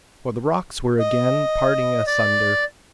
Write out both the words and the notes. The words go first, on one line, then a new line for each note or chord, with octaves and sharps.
For the rocks were again parting asunder.
D#5
D5